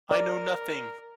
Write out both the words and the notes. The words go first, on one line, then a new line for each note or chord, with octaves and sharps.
I know nothing!
A#4 D5